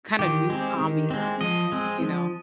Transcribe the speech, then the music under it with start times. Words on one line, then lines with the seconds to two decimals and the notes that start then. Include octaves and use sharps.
kind of new ambiance, you know.
0.19 D#3 G4
0.50 G#3 C4
0.81 D#3
1.11 G#3 C4
1.41 F3 D#5
1.72 G#3 C4
2.02 F3